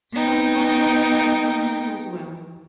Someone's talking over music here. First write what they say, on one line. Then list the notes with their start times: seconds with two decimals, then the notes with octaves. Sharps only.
Some boilers add onions as well.
0.14 B3 D#4 G5